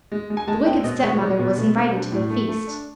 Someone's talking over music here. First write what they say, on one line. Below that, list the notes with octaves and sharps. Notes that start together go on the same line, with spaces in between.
The wicked stepmother was invited to the feast.
G#3
G#3
G#5
G#3 A5
C4 G5
B2 D#5
G#3 C#5
G#3
B2
B2
C4
D4
A2
A3
A3
D4